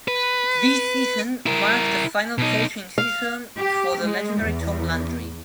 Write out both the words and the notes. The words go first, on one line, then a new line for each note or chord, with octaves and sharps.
This season marked the final coaching season for the legendary Tom Landry.
B4
E4 A#4
B2 D#4
F5
G4
G#3
E2